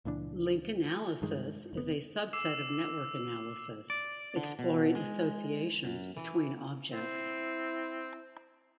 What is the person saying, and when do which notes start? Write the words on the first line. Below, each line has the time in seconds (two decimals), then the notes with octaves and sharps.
Link analysis is a subset of network analysis, exploring associations between objects.
0.05 C#2 A#2 E3 D4
1.22 G2 D#3 G#3
1.73 F1 B3
2.33 D6 E6 C7 E7
3.90 D5
4.36 D3
4.59 B2
4.95 G#3
5.85 F#2
6.17 E3
6.90 C4 E4